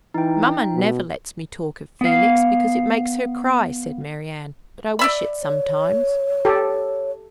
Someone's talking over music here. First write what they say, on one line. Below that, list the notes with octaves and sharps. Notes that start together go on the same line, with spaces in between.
'Mamma never lets me talk of Felix, because it makes her cry,' said Marianne; but I wish it sometimes.'
E3 D#4 G5
B2
B3 F5
D5 E5 B5
C#5
G4 A4